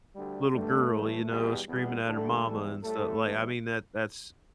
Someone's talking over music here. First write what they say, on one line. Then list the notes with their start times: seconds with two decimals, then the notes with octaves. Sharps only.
little girl, you know, screaming at her mama and stu Like, I mean, that that's
0.15 D2 D3 G3
0.53 G2 D3 G3 A3
0.91 A2 E3 G3
1.30 E2 B2 G3
1.68 E2 B2 G3 B3
2.06 G2 D3 G3 A3 A4
2.45 E2 E3 G3
2.83 A2 G3 A3 A4
3.21 E2 E3 G3